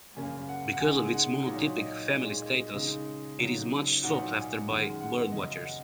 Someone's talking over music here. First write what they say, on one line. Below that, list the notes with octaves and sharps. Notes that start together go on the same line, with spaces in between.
Because of its monotypic family status it is much sought after by birdwatchers.
F#2 C#3 A#3 C#4 G#5
F#5
F#5
C#3 G#3 D#4 G#5
F#5
A#2 F#3 D#4 C#5
D#5
A#2 G#3 D#4
D#5
C#3 G#3 D#4
C#3 F#3 D#4
A#2 F#3 D#4 F#5
G#5
F#2 D#3 G#3 F#5
F#5
F#2 C#3 F#3 D#5
F#5